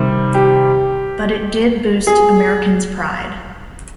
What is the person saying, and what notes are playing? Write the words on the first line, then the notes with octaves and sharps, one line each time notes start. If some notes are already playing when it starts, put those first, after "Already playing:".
But it did boost Americans pride.
Already playing: C3 D#3 G3
G4
G#4